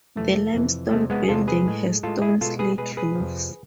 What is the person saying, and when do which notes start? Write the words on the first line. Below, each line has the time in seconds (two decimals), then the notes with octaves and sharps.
The limestone building has stone slate roofs.
0.16 F2 C3 E3 A3
0.54 F2 C3 E3
0.91 E2 C3 G#3 A3
1.10 G#3 B3
1.23 G#4
1.28 E2 C3 G#3 F4 A4
1.48 G#4 B4
1.66 A2 G#3
2.03 A2 G#3 F4 A4
2.22 E4 G#4
2.41 B2 G#3 F4 A4
2.59 G#4 B4
2.78 B2 G#3 G#4 B4
2.97 G#4 B4
3.15 F2 C3 F3